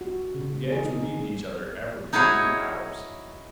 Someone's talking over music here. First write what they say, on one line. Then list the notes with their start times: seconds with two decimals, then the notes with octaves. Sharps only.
The gangs relieved each other every three hours.
0.01 F#4
0.35 C#3
0.72 G#4
0.85 D#4
2.13 D#4 E4 F#4 G#4 C#5